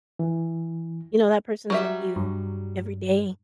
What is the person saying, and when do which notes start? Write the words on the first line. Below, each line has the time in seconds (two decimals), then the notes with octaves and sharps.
you know, that person's with you every day
0.19 E3
1.70 F#3 G3 E5
2.16 G2